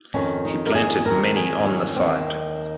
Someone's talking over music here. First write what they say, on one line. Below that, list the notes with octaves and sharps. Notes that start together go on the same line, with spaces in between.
He planted many on the site.
F2 D#3 C#4
D#4
A#4
G#4
F2 D#3 A#4
G#4
D#4
C#4
D#2 D#3 C4